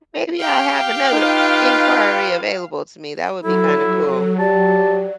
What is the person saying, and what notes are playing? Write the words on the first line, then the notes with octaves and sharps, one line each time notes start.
maybe I'll have another inquiry available to me, that would be kinda cool.
G4 F5 G5
D#4 F4 B4
F#3 E4 A4
G4 D5 A5